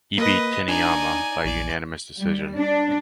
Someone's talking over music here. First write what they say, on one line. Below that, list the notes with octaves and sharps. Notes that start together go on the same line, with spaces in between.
He beat Taniyama by unanimous decision.
A#3 B4 D#5
D4 D#4 D5 G#5
A#1 D5
G3
D4